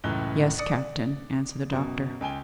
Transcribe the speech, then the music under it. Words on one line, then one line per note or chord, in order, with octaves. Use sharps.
"Yes, captain," answered the doctor.
C#2 F#2 A2 E3 F#6 G7
D5 D#6 C#7
F#2 B2
C#2 G5 G#5 G7